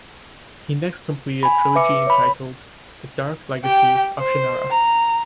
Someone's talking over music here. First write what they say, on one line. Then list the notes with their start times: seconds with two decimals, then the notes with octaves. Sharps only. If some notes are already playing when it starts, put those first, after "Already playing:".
He next completed a trilogy entitled "The Dark Legacy of Shannara".
1.43 G#5 B5
1.75 B4 E5 D6 C#7
2.07 C#5 B5
3.64 G4 G5
4.19 C5
4.71 A#5